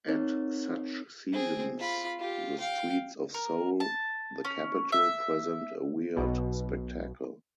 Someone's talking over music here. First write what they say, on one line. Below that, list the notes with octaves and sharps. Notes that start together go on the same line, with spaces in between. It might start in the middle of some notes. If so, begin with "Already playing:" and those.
At such seasons, the streets of Seoul, the capital, present a weird spectacle.
C4 D#4 A#4 C#5
C4 G#4
F4 B5
F4 G4
F5 G5
A#4
A5
C#4
E5
B1 B2